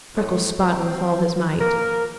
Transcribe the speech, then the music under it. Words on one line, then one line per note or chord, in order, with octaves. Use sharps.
Freckles spun with all his might.
A2
C4
A#3 A#4